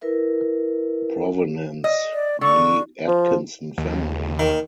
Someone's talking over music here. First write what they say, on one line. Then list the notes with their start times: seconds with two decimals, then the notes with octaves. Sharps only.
Provenance: The Atkinson family.
0.01 E4 A#4 B4 E5
1.84 D#5
2.13 D5
2.41 D3 C#6
3.07 F3
3.78 D#2
4.39 D#3